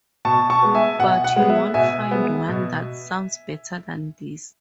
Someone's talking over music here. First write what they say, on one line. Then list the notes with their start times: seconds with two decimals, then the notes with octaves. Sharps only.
But you won’t find one that sounds better than this.
0.25 B2 A5 C#6
0.50 A5 C#6
0.62 G#3 B3
0.75 E5 G#5
0.99 B2 F#5
1.24 F#5
1.36 G#3 B3
1.49 E5
1.74 B2 E5 G#5
2.11 G#3 B3
2.48 B2